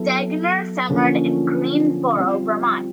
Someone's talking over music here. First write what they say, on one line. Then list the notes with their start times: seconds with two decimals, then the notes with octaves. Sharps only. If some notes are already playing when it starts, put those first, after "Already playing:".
Stegner summered in Greensboro, Vermont.
Already playing: F#3 B3 E4 A4
0.89 D3 F3 A#3 C#4
2.16 G3 C4 F4